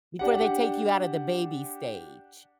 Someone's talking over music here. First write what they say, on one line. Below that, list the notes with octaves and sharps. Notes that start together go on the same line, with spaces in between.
Before they take you out of the baby stage
D4 G4 F#5